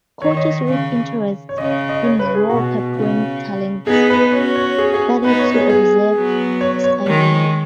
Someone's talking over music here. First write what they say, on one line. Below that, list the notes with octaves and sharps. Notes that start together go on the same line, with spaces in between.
Coaches with interests in raw Papuan talents started to observe Sayuri.
D#3 C#5
D#5
C#3
C#5
C#3 D#5
D#5
C#5
B4
G#4
B2 F#4
C#3
B3 D#4 G#4
B4
C#4 F#4 C#5
C#5
G#4
G#4
B3 D#4 B4
C#5
G#4
G#4
F#3 B3
C#5
C#5
D#3 G#3